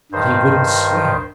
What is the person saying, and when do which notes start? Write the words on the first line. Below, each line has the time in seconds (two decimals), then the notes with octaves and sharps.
"That he wouldn't swear."
0.12 G2 D#3 C5